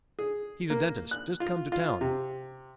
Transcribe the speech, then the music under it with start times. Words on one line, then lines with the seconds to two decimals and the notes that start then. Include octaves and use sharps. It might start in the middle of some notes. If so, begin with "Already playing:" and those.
He's a dentist, just come to town.
0.19 G#4
0.70 A#3
1.11 F#6
1.40 F4
1.72 F4
2.01 C3